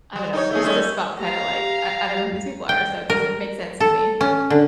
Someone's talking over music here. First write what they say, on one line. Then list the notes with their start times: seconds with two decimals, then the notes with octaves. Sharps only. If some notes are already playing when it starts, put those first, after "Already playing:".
I don't know, it just felt kind of like, I I don't know who these people are, so it doesn't make sense to me.
0.16 G3
0.33 D#4 A#4 C#5
0.51 A3 D#4 G#4
0.64 G3 A3 C#4
1.19 G4 F5 A#5
2.69 G5
3.10 A#4
3.80 A4
4.21 C#4
4.50 D3